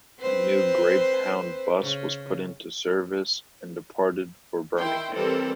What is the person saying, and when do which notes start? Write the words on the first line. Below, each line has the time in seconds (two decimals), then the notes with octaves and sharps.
A new Greyhound bus was put into service and departed for Birmingham.
0.20 C4 B4 C5
1.81 C#3
4.78 D#3 E4 G5 C6
5.14 E3 G3 C4 A4 A#4